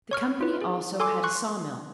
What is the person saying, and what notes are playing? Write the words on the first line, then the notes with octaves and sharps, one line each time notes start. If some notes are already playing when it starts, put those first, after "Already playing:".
The company also had a saw-mill.
C#5 C#6 F6
F4 B4
G#4
A4 G#5 C6 D6
C6 C#6 F#6